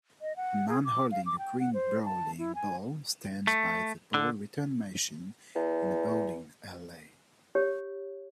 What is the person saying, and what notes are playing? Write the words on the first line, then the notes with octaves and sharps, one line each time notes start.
A man holding a green bowling ball stands by the ball return machine in a bowling alley.
D#5
F#5
G#4
D6
F5
D6
G5
F#5
C5
A5
E4
G#5
A3
D3
E2
G4 C#5